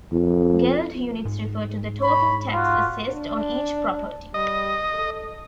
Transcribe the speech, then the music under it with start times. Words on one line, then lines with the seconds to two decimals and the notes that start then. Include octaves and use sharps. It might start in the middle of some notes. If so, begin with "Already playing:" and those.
Geld units refer to the total tax assessed on each property.
0.12 F2
1.25 G#2
2.01 C#5 B5
2.54 F4 F#4
3.13 D4
4.34 G3 D#5
4.94 A4